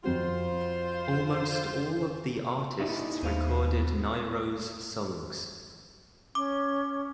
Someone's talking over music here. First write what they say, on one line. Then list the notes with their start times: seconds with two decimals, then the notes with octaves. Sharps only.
Almost all of the artists recorded Nyro's songs.
0.04 F2 C4 F4 F#4 C5
2.80 A#2 D#4 E4
3.23 D#2 B3 C5 F5
6.35 C#4 D6